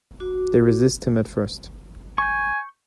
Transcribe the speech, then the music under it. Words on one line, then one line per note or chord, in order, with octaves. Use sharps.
They resist him at first.
F#4 D6
G#5 C#6 G6